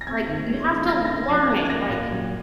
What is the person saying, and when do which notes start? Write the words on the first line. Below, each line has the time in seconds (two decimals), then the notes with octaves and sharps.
Like, you have to learn it, like,
0.01 A#6
0.07 C4 G#6
0.27 D#3
0.48 G#3
0.69 D#4
0.89 C4 A#6
0.97 G#6
1.05 A#6
1.09 C#3
1.30 F3 C7
1.50 F4
1.66 G#6
1.69 A#3 A#6
1.90 A#2
2.10 F#3